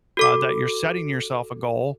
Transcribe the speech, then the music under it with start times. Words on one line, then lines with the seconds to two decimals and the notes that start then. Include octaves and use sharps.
uh, that you're setting yourself a goal
0.17 F#4 A4 D6